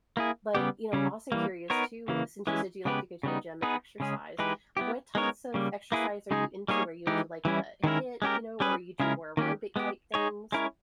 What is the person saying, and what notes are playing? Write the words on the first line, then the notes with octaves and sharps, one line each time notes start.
But, you know, I'm also curious too, since you said you like to go to the gym and exercise, what types of exercise are you into? Are you into like the HIIT, you know, or you do more aerobic type things?
A#3 E4 G#4
C#3 G3 B3 G4
C#3 G3 C#4
E3 G3 A#3
B3 D#4 A#4 C#5
C#3 E3 A#3
E3 G#3 C#4 E4
C#3 G#3 B3 G4 B4
C#3 G3 B3 D#4
B3 D#4 G#4 B4
C#3 G#3 C#4 G#4
E3 G#3 D#4 G4 B4
B3 E4 G4
G#3 B3 D#4 A#4 C#5
C#3 G3 A#3
A#3 E4 G#4 B4
C#3 G#3 D#4 G#4
G3 A#3 D#4 G#4 C#5
E3 G#3 D#4 G4
E3 G3 C#4 E4
D#3 G#3 C#4 E4 A#4
G#3 C#4 G4 A#4
G3 C#4 G#4 B4
C#3 G#3 C#4 E4 A#4
D#3 A#3 C#4 G4
G#3 B3 G4
G#3 D#4 G#4 C#5
G#3 C#4 E4 A#4 C#5